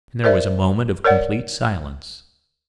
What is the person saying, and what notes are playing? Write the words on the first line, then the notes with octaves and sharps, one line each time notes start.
Then there was a moment of complete silence.
A#4 C5 D5 E5
A#4 C#5 D5 F#5